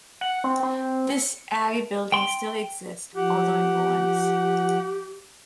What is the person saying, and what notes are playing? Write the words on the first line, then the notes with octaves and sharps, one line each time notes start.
This abbey building still exists, although in ruins.
F#5
C4
C4
C#7
G5 C6
F3 G4 F#5